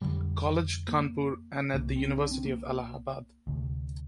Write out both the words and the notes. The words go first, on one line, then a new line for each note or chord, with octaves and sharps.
College, Kanpur and at the University of Allahabad.
F2 D3 G3
A#3
C2 C3 A#3
C4
D4
C4
A#3
D2 C3